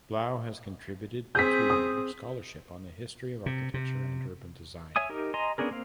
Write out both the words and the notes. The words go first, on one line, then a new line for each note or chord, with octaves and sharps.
Blau has contributed to scholarship on the history of architecture and urban design.
C4 G#4 G6 B6
D#6
C3
C3
C#5 E5 G#5 D#6
D#4 G4 A#4
D#5 G#5 A#5 C6
B3 C#4 D4 G#4 A#4
A#3 C4 F5